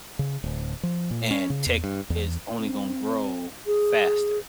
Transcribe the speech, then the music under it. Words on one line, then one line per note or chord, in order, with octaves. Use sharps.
and tech is only gonna grow faster,
C#3
D1
F3
A#2
C#4
C#3
E2
G2
E2
C4
G#4